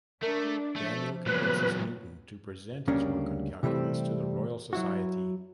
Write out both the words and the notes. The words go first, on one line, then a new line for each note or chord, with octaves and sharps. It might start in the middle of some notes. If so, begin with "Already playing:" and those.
Daniel convinces Newton to present his work on calculus to the Royal Society.
A3 D4 A#4
F3 A3
A#2 C#3 E3 F#3 B3 B4
D2 C#3 G3 A#3 C#4 D4
C3 E3 G3 A3 C4
F#3 E4 F#4